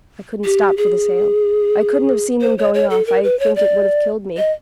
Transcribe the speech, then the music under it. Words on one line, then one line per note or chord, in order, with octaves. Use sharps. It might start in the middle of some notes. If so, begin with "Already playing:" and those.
I couldn't stop for the sale; I couldn't have seen them going off; I think it would have killed me.
G4
G#4
C5
C#5
C#5
A4
A#4
B4
C#5
D5
D#5